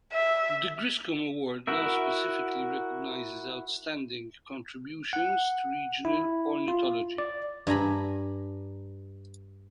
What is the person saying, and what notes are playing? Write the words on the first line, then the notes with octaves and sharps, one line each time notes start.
The Griscom Award now specifically recognizes outstanding contributions to regional ornithology.
E5
E4 F#4 A#4 E5
F#5
E4
F4
D5
G2 G#5 A#5 B5